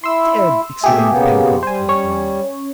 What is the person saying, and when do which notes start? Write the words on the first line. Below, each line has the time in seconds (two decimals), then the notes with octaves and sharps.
"Dead!" exclaimed Pencroft, with a groan.
0.04 E4 C6 E6
0.84 B2 A3 G4 G#4 E5
1.09 C#3 A#3 B3
1.63 G3 C5 G#5
1.89 C#4 C#5